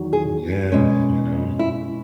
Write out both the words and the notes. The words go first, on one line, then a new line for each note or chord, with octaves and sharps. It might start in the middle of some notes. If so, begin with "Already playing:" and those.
Yeah, you know,
Already playing: E2 D#3 F#3
G#4
B2 G#3 C#4
E4